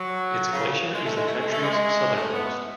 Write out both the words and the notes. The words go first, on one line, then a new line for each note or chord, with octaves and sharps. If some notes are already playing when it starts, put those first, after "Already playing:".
Its glacier is the country's southernmost.
Already playing: F#3
C#3
G#3
A3
G#3
A3
G#3
A3
G#3
A3
B3